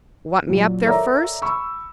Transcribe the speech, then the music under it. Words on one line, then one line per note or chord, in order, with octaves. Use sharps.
"Want me up there first?"
A#2 F#3
A4 A#4 C#5 D5 E5 A#5
B5 C#6 E6